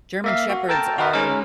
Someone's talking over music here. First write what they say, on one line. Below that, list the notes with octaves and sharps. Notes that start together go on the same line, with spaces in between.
German Shepherds are,
A#3 E5 F5
F#4
A4 A#4 G5 A5 A#5
F#4 A#4 B4 E5
G#3 C#4 D#4 A#4